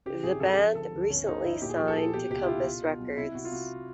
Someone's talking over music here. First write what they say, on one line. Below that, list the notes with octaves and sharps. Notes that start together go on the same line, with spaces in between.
The band recently signed to Compass Records.
C#3 G4
G#1 G#4
G#1 A4
F3
D3 A4
D2
G1 C#4
G1 D#4
G1 E4
A#2 G4
G#4
F3 G4
A4
A#2
B2 G4
C#2 G4
E4
B2 F4
B2
B2
B1
C3 E4
C3 F#4
F4
C3 F#4